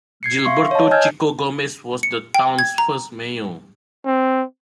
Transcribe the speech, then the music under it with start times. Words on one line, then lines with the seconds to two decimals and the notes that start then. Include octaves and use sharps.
Gilberto Chico Gomez was the town's first mayor.
0.23 G#6 C7 C#7
0.45 E5 F5 C6 C#6
0.71 C#5 D#5 A5
0.91 D#5 G#5 E6 F6 G6 G#6
2.03 C#7
2.34 G5
2.59 G#6
2.78 A#5
4.05 C4